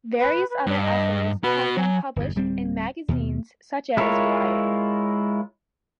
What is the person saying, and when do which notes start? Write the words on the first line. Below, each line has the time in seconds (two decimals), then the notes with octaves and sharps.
Various other essays have been published in magazines such as "Wired".
0.19 B4
0.50 B4
0.67 G2
0.82 D#5
1.44 F#4 B4 B5
1.77 F#3 G#5
2.16 G1 E2
2.36 D1 G3 C4
3.08 D#2 B2
3.97 G#3 E4 F4 A#4 C#5